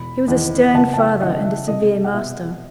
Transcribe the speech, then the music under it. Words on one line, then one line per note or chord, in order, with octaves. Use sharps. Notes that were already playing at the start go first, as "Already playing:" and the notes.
He was a stern father and a severe master.
Already playing: E1 B5
E2 D#3
F#1 F#5 A5
A5
E5 G5
F#2 D#3 D#5 F#5
E5
C2 D#5
F#5
B2 E5